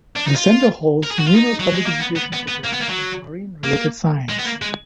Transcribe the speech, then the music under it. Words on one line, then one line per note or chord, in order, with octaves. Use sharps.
The Centre hosts numerous public education programs in marine related science.
D4
D#4
F4
A#4
G#4
F#4
F4
D#4
F#3
G#3
A#3
B3
B3
B3
B3
A#3
B3
A#3
F#3
A#3
G#3
B3
A#3
G#3